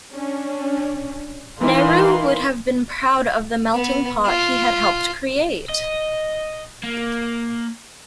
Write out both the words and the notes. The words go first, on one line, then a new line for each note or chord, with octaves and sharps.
Nehru would have been proud of the melting pot he had helped create.
C#4 D4
E3 D#4 A#4 B4 F5 C6
B3
F4
D#5
A#3